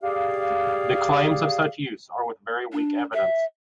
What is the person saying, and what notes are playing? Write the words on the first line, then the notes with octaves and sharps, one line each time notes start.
The claims of such use are with very weak evidence.
G4 G#4 D5 F5
D4
E5